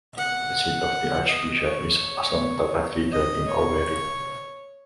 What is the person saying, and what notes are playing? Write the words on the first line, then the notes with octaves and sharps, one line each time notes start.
The seat of the archbishop is Assumpta Cathedral in Owerri.
F#5
D#5
C#5
D#5
C#5